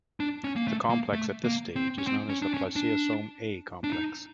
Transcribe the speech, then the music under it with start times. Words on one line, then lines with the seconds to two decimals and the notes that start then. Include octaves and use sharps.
The complex at this stage is known as the spliceosome A complex.
0.20 D4
0.44 C#4
0.56 A#3
0.68 A3
0.90 A#3
1.13 A3
1.45 A#3
1.76 C4
1.98 C#4
2.07 C4
2.30 C#4
2.42 D4
2.54 C#4
2.76 D4
3.84 D4
3.93 D#4